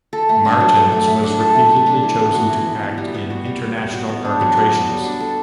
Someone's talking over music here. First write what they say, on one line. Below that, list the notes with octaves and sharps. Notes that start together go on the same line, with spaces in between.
Martens was repeatedly chosen to act in international arbitrations.
A4
A3
D4
F#3
A4
A3
A3
D4
A4
A3
A3
D4
E3
B3
F#4
E3
E3
B3
G3
B3
F#4
G3
G3
B3
F#4
B3
D4
F#3
F#4
B3
G3
D4
A4